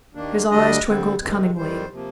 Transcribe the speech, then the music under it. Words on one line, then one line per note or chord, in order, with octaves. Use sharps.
His eyes twinkled cunningly.
D#2 D#3 A#3 D4
D2 D3 G3 D4 D#5
D2 D3 G3 C4
F2 C3 D#3 G#3 C4
F2 D#3 G3 C5
C3 F3 A#3